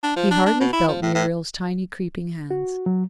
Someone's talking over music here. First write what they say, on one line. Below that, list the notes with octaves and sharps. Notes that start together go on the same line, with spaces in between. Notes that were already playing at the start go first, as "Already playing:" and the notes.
He hardly felt Muriel's tiny creeping hands.
D4
F3
D4
D4
B2
E4
F3
A2
A2
F#4
F#3